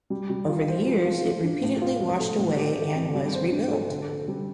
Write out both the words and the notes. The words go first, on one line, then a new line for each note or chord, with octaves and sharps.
Over the years, it repeatedly washed away and was rebuilt.
G3
G3
F4
C5
F3
F4
A3
D4
A2
F4
F3
A3
A2
G4
A3
C4
G3
C5
D4
A4
D3
A4
G3